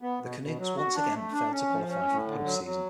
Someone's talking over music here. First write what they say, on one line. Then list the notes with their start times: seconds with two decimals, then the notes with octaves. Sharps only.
The Canucks once again failed to qualify for the post-season.
0.02 B3
0.20 B2
0.39 B2
0.58 F#3
0.76 F#4
0.95 D4
1.13 A3
1.32 D4
1.51 C#4
1.70 F3
1.88 C#4
2.08 A2
2.26 D3
2.44 F#3
2.64 F#3